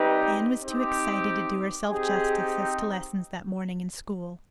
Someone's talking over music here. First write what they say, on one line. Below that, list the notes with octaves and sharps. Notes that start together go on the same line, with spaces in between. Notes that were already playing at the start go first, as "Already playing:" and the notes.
Anne was too excited to do herself justice as to lessons that morning in school.
Already playing: G3 C4 D#4 G4 B4
C4 D#4 G4
C4 D#4 G4 G#4